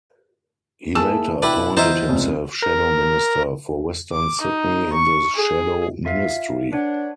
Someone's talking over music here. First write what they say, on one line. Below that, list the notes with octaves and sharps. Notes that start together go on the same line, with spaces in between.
He later appointed himself Shadow Minister for Western Sydney in the Shadow Ministry.
A#3 E4 G#4 A5 E6
B2 D4 E4 B4 G5
E3 B3 F4 C5 D#5 E5 A#5
F1 C#2
A#4
D6
D#4
C#6
G#4
F4 E5 F5
D4 B4 C#5 F#5